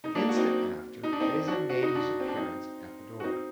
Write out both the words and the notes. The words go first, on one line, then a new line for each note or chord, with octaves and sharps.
An instant after, Bazin made his appearance at the door.
D#4
A#3 D4
F#4
C4 D#4
D#4
D4
C4 D#4
D4 F#4
F#4
D#4
D4 F#4
C4
D4
C4 D#4
F#4
C4 D#4